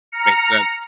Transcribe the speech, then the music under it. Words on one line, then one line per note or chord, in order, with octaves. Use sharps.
Makes sense.
A#5 F6 C#7